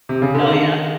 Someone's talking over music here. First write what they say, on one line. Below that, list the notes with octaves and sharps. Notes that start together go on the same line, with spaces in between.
Oh yeah.
C3
C#3
D3
D#3